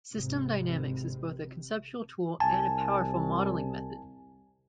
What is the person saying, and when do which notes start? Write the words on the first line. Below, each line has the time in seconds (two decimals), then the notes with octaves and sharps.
System dynamics is both a conceptual tool and a powerful modeling method.
0.14 G#1 C3
2.40 C2 G#5 A5